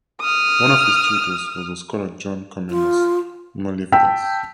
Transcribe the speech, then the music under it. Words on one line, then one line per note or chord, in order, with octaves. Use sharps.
One of his tutors was the scholar John Komnenos Molyvdos.
D#6 F6
F4
G5 A5 E6 B6